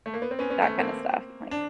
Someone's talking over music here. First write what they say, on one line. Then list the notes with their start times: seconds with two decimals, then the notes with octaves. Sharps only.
that kinda stuff, like
0.06 A3
0.14 A#3
0.22 B3
0.31 C4
0.39 B3 C#4
0.50 B3 C#4
0.62 A3 B3
0.78 A#3 C4
1.51 D4